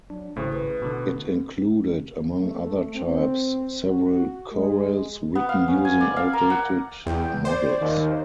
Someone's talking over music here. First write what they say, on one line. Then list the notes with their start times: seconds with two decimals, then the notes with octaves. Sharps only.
It included, among other types, several chorales written using outdated models.
0.10 F#3 D4
0.36 G#1 A2 C#3 C5
0.53 B4
0.82 B2 D3
2.40 A3
2.95 C4
3.86 F#4
4.52 G#3
5.35 B3
5.49 F5
5.68 C#4
5.85 G#5
6.01 D5
6.17 F5
6.33 A#4
6.50 F#5
7.06 E2 G5
7.45 C5 D5
7.80 D#2